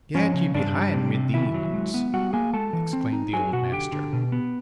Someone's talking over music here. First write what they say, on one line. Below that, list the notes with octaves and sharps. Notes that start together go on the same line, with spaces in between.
"Get ye behind me, demons," exclaimed the old master.
F3 C#4 C#5
C#3
G2 D4 D5
G3
C3
C3
D#3 E4 E5
F#3
G#3
B3
G3 F#4 F#5
A#3 G#4 G#5
G#3 A4 A5
E3
C4
D#4
F#3 G#4 G#5
B2 F#4 F#5
D3 G4 G5
D3
B2
B3